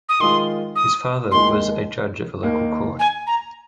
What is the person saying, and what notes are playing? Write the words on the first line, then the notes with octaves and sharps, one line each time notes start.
His father was a judge of local court.
D#6
D#3 G#3 F4 C6
D#6
D#2 D#3 G#3 C6
D#2 D#3 A#3
G#5
A#5